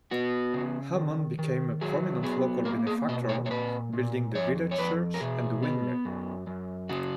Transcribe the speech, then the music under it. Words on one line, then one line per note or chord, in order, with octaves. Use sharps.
Hammond became a prominent local benefactor, building the village church and the windmill.
B3 F#4
C#3
D#3
D#3
F#3 G#4
B3 G#4
A#3 A#4
G#4
B2 D#5
C#5
C#5
A#2 B4
A#2
F2 C#5
C#5
F2 B4
A#4
B2 G#4
B3
F#2
F#2
C#3 F#4